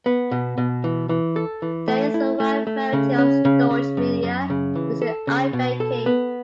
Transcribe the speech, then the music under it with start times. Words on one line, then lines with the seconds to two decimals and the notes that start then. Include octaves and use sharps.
There is a wide variety of storage media used in eye banking.
0.06 B3
0.31 B2
0.58 B2
0.84 E3
1.09 E3
1.36 A4
1.62 E3
1.88 A3
2.14 E4
2.40 A3
2.67 A3
2.93 C#3
3.18 C#4
3.45 C#3
3.70 C#3
3.97 F#2
4.23 F#2
4.50 C#3
4.75 E3
5.02 A4
5.27 C#3
5.53 B2
5.80 A4
6.06 B3